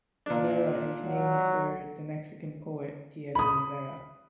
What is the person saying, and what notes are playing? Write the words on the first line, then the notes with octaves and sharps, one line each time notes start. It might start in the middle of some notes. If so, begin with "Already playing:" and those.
Rivera is named for the Mexican poet Diego Rivera.
A#2 D4
F#3
B5 D#6